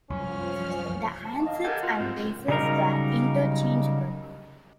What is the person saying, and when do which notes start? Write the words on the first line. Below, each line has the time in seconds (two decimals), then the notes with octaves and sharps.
The handsets and bases were interchangeable.
0.10 C2 F#2 F3 C#4 F6
1.25 A5
1.47 D#5 F5
1.64 G4 A4 A#4 F#5 G#5
1.83 F4 F#4 F5
2.00 G#2 C4
2.48 C#3 F#3 G3 D#4 A#4